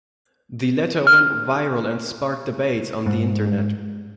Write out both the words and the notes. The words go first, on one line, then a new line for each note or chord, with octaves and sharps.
The letter went viral and sparked debates on the internet.
F6
G#2